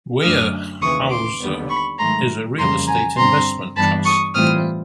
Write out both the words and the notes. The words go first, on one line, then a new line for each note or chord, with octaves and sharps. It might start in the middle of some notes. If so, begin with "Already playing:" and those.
Weyerhaeuser is a real estate investment trust.
F#2 D3 F#3 A3 D4 D#6 F6
D#2 C#3 E3 C#6 D#6
C6 D6
D#2 D3 G3 B3
B5 C#6
G#2 D#3 F#3 A3 A#5 C6
F2 C#3 E3 G3 A#3 A#5 C6
G#5 A#5
G2 D3 G3 C4 A#5 C6
G2 E3 G3 B3 D4 A5 B5
C#6 D#6
A2 E3 G3 C4 F4 D#6 F6